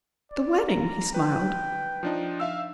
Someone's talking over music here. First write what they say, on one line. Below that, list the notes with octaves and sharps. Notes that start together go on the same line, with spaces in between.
"The wedding," he smiled.
D5
A#5
B4 G5
F3 D4 D#4
E5 F5 E6